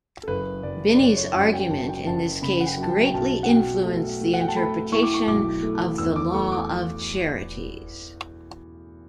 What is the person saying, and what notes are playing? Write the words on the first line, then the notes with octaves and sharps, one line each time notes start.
Binney's argument in this case greatly influenced the interpretation of the law of charities.
A4
F#1 B4
F#1 D5
D5
F#1 C#5
C#5
F#2 F#5
G5
F#1 A5
G5
F#1 A5
C#3 B5
F#5
G5
F#2
A5
G5
G5
B1 A5
F#5
B2 G5
A3
A3
F#5
G5
A5
A3 B5
E4 C#6
D6
C#6
B1 D6
A3
E2 E6
D6
A3 C#6
D6